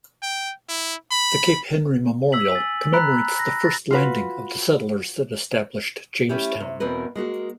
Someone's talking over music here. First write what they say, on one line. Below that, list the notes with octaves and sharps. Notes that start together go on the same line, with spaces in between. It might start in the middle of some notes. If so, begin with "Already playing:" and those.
The Cape Henry Memorial commemorates The First Landing of the settlers that established Jamestown.
G5
E4
B5
E6 B6 F#7
G#5 A6
A#5 B5 F#6 B6
A#6
A6 A#6
F4 F#4 B4
A3 A#3 C#4 E4 G4
C3
E2 B2 C4 A#4 B4
G#3 A#3 F#4 A#4